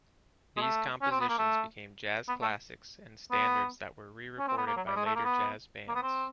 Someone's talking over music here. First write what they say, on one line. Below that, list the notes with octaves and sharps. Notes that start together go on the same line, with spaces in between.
These compositions became jazz classics and standards that were re-recorded by later jazz bands.
G#3
A3
C#4
C4
B3
A#3
A3
B3
A3
B3
C#4
C4
B3
A#3
F#3
G3
G#3
A3
A#3
B3
A#3
B3
C4